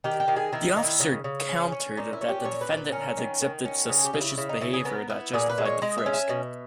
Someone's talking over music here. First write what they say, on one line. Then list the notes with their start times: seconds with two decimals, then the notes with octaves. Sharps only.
The officer countered that the defendant had exhibited suspicous behavior that justified the frisk.
0.04 D#3 G4
0.20 G4
0.28 D#3
0.36 G#4
0.53 D#3 E4
0.69 D#4
0.77 D#3
0.84 E4
1.00 C#3
1.24 C#3
1.49 C#4
1.72 C#4
1.97 A#2 D#4
2.13 E4
2.21 C#4
2.29 G4
2.45 A#2 C#5
2.61 B4
2.69 A#2
2.77 B4
2.92 C#4 A#4
3.17 D#3
3.41 D#3
3.65 C#4
3.89 C#3 G#4
4.05 G4
4.14 C#3
4.21 E4
4.38 C#3 E4
4.49 D#4
4.61 C#3 E4
4.73 G#4
4.85 B3 A#4
5.10 B3 E4
5.34 A#2 G#4
5.49 B4
5.58 G#3
5.65 C#5
5.82 G#3 D#5
5.98 E5
6.06 C#4
6.14 E5
6.29 B2